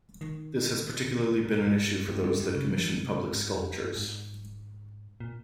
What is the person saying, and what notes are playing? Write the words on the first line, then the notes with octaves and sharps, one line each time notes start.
This has particularly been an issue for those that commission public sculptures.
D#3
A#2
G#2
G2
G2
G2
G2
C#3
F3
D#3
C3
G#2
G#2
F2
G2
G#2
A#2